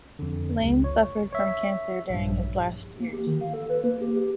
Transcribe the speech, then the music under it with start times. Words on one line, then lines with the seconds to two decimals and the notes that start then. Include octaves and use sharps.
Layne suffered from cancer during his last years.
0.19 F2 D3
0.60 G1 C#2
0.84 C#5
1.33 C#5 E5
2.10 A#1 G2
3.00 A#3
3.13 G4
3.27 D#3
3.41 F5
3.54 A4
3.69 B4
3.84 A#3
4.01 G4
4.16 G4